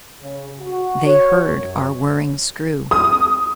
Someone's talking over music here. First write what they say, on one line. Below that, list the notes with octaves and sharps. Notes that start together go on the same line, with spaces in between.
They heard our whirring screw.
C#3
F#4
C#5
F#2
D#6